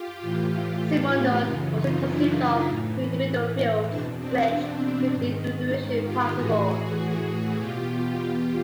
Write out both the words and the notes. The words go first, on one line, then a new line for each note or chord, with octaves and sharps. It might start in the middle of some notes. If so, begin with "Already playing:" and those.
Simondon also conceived of "pre-individual fields" which make individuation possible.
Already playing: F4 G4
A2 E3
F#2 C#3 E3 D#4 F4
D#4 F4
D4 E4
A2 E3
E2 B2 C4 D4
C4 D4
G#2 D#3
F4 G4
A2 E3 F#4 G#4
E2 B2 F4 G4
F4 G4